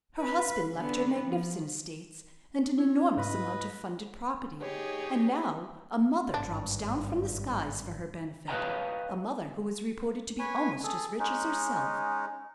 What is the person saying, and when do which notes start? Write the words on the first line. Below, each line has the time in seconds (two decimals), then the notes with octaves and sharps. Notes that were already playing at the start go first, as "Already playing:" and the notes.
"Her husband left her magnificent estates, and an enormous amount of funded property; and now a mother drops down from the skies for her benefit--a mother who is reported to be almost as rich as herself."
0.19 B4
0.74 D3 B3
1.26 F3
2.78 E4 C#5
3.17 G#2 B4 D#5
4.62 D#4 G4 G#4 C#5
6.34 G#1 G2 D4
8.48 B4 C#5 D#5 F5 G5 A#5
10.39 B4 C#5 G#5
10.84 G#4 A4
11.19 G#3 C#4 D#4